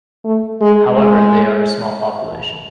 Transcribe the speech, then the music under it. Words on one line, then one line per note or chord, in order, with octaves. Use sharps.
However, they are a small population.
A3
G#3
G#3